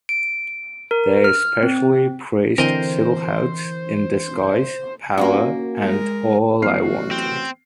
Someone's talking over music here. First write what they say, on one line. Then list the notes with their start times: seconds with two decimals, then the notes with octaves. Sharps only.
They especially praised "Silhouettes in Disguise," "Power", and "All I Wanted".
0.09 D7
0.91 A#4
1.24 F6
1.63 C4
2.58 D3 E3 C4 A#4 C5 D#5
5.18 A#3 C#4 F#4
5.79 G#3 A#4
6.62 A1 F#3 B3 F#4 F6 C7
7.11 C4